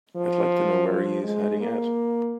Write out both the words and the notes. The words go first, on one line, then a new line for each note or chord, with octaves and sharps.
I'd like to know where he is heading at.
F3
F3
G#3
A#3